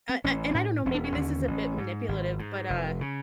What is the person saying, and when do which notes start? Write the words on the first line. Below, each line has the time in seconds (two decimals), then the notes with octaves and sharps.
Uh, an and I don't know, maybe this is a bit manipulative, but, uh,
0.09 C4
0.24 A1 C#4
0.51 C#4
0.54 A2 D4
0.86 E1 C#4
0.95 D4
1.04 C#4
1.16 D#2 D3
1.47 A1
1.78 G#2
2.08 G#1
2.39 G#2
2.70 F1
3.01 C#3